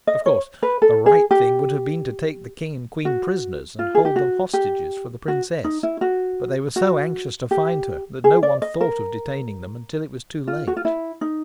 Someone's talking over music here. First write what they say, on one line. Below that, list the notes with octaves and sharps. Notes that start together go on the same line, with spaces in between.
Of course, the right thing would have been to take the king and queen prisoners, and hold them hostages for the princess, but they were so anxious to find her that no one thought of detaining them until it was too late.
D#5
C#5
B4
A4
G#4
G4
F#4
F4
G#4
G4
F#4
G4
F#4
D#4
E4
F#4
F#4
G4
G#4
D5
D#5
A#4
F4
F#4
F4
E4
D#4